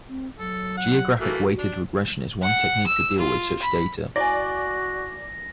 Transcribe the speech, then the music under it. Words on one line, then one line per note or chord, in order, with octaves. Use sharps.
Geographic weighted regression is one technique to deal with such data.
C4
F#3 A4
F#5
E3 A3 A#3 F#4
D4
F#5
E6
F4
B5
E4 F#4 D5 D#5 G#5 A#6